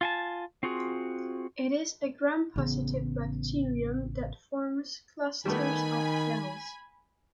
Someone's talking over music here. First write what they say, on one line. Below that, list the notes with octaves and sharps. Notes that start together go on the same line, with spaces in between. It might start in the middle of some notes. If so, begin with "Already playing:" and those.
It is a Gram-positive bacterium that forms clusters of cells.
F4 G#5 A5
C4 F4 F#4 G#4
A1 C#3 B3
D#3 G3 A3 B3 G#5 B5